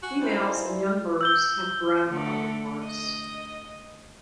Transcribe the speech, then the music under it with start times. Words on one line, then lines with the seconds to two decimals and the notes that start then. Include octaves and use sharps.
Females and young birds have browner upperparts.
0.03 F#4 G#5
0.21 F3 G3 D#4 E4 C5
0.68 D5
1.21 E6 G6 G7
2.08 D3 A3
2.84 D#5